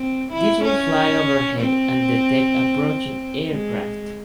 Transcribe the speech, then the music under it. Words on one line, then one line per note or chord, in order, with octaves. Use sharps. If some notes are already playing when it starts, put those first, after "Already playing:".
These would fly overhead and detect approaching aircraft.
Already playing: C4
E4
C#4
C4
G#3